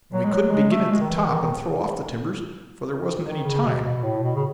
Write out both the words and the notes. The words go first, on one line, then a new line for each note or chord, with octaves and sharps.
And we couldn't begin at the top and throw off the timbers, for there wasn't any time.
F#3
G#3
F#3
G#3
A3
G#3
D#3
E3
D#3
D#3
C#3
B2
B2
A2
B2
C#3